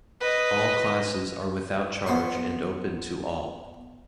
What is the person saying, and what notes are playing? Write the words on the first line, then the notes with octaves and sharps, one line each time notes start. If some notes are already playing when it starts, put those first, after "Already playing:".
All classes are without charge and open to all.
B4 D#5
B3 C5 C6 C#6